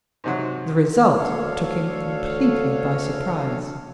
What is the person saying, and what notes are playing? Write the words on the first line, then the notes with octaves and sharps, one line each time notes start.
The result took him completely by surprise.
G#2 C3 F#3
D2 D3 D4 A4 C#5 F5